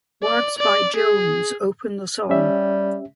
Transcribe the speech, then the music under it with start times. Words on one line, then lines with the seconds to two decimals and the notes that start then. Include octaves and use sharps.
Words by Jones open the song.
0.23 D5
0.59 D5
0.96 G#4
2.29 G3 C#4 G4 E5